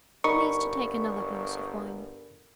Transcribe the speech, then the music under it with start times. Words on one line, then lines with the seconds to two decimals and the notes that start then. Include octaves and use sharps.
"Please to take another glass of wine."
0.24 G1 D#4 A#4 D5 B5 C#6